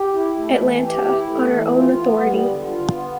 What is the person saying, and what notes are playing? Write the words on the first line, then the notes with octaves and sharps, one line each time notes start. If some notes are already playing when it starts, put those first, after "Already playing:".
Atlanta: On Our Own Authority!
Already playing: G4
E4
A3
E3
G4
E4
A3
E3
F4
B3
G3
D3
F4
B3